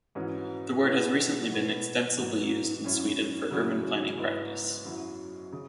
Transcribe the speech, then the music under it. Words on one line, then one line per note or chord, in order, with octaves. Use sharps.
The word has recently been extensively used in Sweden for urban planning practise.
G#2 E3 C#4 F#4
B2 B3 E4
B2 B3 E4
G#2 F#3 B3 F#4
F#2 F#3 C#4 E4
C#3 F#3 C#4 E4
G#2 G#3 B3 E4
F#2 F#3 E4
C#3